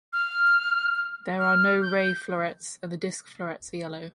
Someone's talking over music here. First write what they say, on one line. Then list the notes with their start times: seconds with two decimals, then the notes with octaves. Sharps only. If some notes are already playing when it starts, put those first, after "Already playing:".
There are no ray florets and the disc florets are yellow.
0.13 F6
1.39 F6
1.82 G6